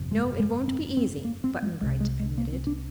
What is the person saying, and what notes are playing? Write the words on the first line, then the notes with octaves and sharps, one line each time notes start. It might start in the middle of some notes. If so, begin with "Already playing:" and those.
"No; it won't be easy," Button-Bright admitted.
Already playing: G1 F2 C3
G#3
G#3
C4
C4
A#3
C4
G#3
C2 C3 G#3
G#3
G#3
A#3
C4
D4